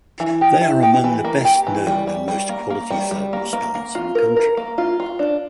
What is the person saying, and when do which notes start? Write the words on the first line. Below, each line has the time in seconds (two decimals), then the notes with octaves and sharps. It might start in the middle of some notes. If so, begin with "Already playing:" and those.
They are among the best known and most quality thermal spas in the country.
0.20 E3
0.41 G4
0.61 E4
0.83 G4
1.04 E3
1.25 A#3
1.45 G4
1.67 E3
1.87 G3
2.07 G3
2.28 G3
2.49 A#3
2.70 A#3
2.90 G3
3.11 G3
3.33 A#3
3.53 A#3
3.75 A#3
3.95 F4
4.15 A#4
4.36 A#4
4.57 A#3
4.78 F4
5.00 F4
5.19 D4